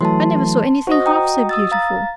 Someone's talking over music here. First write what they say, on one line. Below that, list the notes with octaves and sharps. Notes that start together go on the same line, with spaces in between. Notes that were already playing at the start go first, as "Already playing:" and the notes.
I never saw anything half so beautiful!
E3 F#3 A3 A5 C6
F#4 C5 D#5
G5 A#5 D#6
D#6 E6 A6
F5 A#5 A6